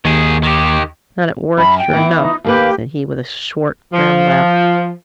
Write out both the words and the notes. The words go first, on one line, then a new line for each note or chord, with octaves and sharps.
'Not at work, sure enough,' said he, with a short, grim laugh.
D#2 D#3 G#4
D#3 G4
F#2 B5
G5
E3 B3 E4
D#4
D#2 A#3 G4 B4
F3